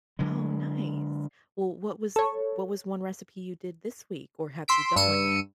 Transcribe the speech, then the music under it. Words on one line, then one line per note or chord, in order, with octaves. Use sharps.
Oh, nice. Well, what was what was one recipe you did this week, or have you done one yet
D3 F#3 G#3
A4 C#5
C6 E6 B6 D7
G2 E6 C#7 D#7